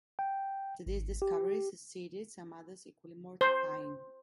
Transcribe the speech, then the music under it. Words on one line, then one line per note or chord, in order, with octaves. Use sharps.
To this discovery succeeded some others equally mortifying.
G5
G#1
G4
C5